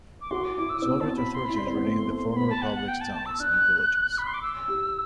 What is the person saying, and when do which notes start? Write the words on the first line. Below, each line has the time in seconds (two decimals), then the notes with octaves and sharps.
Soviet authorities renamed the former republic's towns and villages.
0.21 D6
0.31 F#4 C6
0.44 D6
0.57 E4 D6
0.70 E6
0.78 D6
0.82 C4 E6
0.92 B3
1.00 C4 A5
1.17 B5
1.35 C6
1.45 E4 B5
1.57 D4 C6
1.67 C4
1.77 B3
1.85 A3
2.11 A3
2.32 C6
2.36 B3 B5
2.50 A5
2.62 F#5
2.76 F#5
2.88 G5
3.01 A5
3.14 A5
3.26 E6
3.39 D4 F#6
4.18 B5
4.27 C6
4.34 D6
4.42 E6
4.68 G4